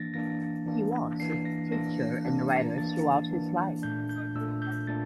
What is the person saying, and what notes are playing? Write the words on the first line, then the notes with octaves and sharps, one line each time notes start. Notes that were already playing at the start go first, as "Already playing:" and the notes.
He was a teacher and writer throughout his life.
Already playing: E3 A#3 D4 A6 A#6
E3 A#3 D4 A#6
E3 A#3 D4
E3 A#3 D4 C7
A#6
E3 A#3 D4 A#6
E3 A#3 D4
E3 A#3 D4 A6
E3 A#3 D4
A#2 A3 D4 G6
G6
A#2 A3 D4 E6
G6
A#2 A3 D4 A6